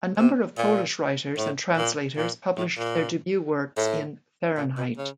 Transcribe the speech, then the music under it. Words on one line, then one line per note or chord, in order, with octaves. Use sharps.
A number of Polish writers and translators published their debut works in "Fahrenheit".
C3
A#2
A2
A#2
A#2
A2
A#2
A2
A#2
B2
C#3